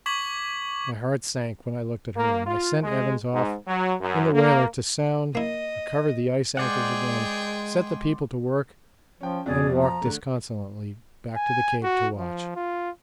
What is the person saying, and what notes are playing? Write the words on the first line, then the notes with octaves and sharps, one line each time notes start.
My heart sank when I looked at her and I sent Evans off in the whaler to sound, recovered the ice anchors again, set the people to work, and walked disconsolately back to the Cape to watch.
C#6 D6 G#6 B6 F#7
A#3
F4
G#3
G#2
F#3
F#2
A#3
A#3 E4 D#5
G#3 G#4 C5 D5 F#5 G5
F3 C#4 G5
F2 B2 G#4 D5
F3
A#5
D3 A3
G#5
F#4
F3
F4